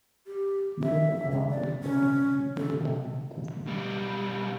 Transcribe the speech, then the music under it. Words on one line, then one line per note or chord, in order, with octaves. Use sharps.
He built the Palazzo Campana in Villa Gaia, Tuscany.
G4
E5
G#3
D5
C#4
A4
B1 G3